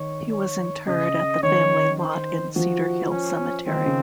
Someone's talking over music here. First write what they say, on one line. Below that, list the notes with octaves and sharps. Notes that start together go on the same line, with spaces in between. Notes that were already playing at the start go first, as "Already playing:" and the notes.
He was interred at the family lot in Cedar Hill Cemetery.
Already playing: D#3 C#5
C#5
C#3 D#5
D#3 C#5
C5
F3 F#4
C#4
D#3 C4
C#3